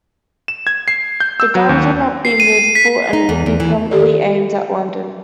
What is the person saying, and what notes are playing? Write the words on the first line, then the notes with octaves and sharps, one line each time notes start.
The guns would not be movable and would be permanently aimed at London.
E7
G#6
C7
G6
E6
F#3
D#2
C7
D#7
C7
B6
D#4
E2
E2
E3
D#3 G4 A4 D5